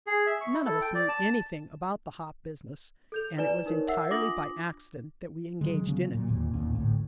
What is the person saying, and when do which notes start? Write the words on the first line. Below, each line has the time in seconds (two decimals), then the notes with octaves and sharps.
None of us knew anything about the hop business, and it was entirely by accident that we engaged in it.
0.07 G#4
0.27 E5
0.41 C#6
0.54 E4
0.66 A4
0.81 G5
0.95 D5
1.09 A5
3.12 A4 G6 F7
3.37 E4 B4 D5 G#5 E7
3.66 D#4 A#4 B4 C#5
3.87 A#4 E5 F#5 E6 C7
4.10 D4 F4 D6 D#6 A#6 F#7
5.61 D#3 E3 F#3 G#3
5.87 C#3 F#3 B3 C#4
6.15 A#2 F#3
6.28 D1 D#2 A#2
6.54 D1 D#2 A#2 C#4
6.75 G#1 D2 A2